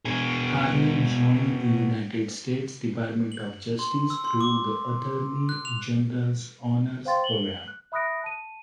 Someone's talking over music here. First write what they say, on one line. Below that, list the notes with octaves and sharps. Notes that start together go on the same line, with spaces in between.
Carlin joined the United States Department of Justice through the Attorney General’s Honors Program.
B2 G#4
F#7
C6
E6
C6
D6
F#6
F7
C5 F5 G5 C6 A6
F#7 G7
F#6
E5 B5 D#6 F#6 A#6 D7
A5 D#7